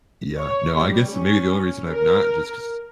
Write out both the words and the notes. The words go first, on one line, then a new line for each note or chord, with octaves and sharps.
Yeah, no, I guess maybe the only reason I've not, just 'cause,
C#5
G3
C#4
A#4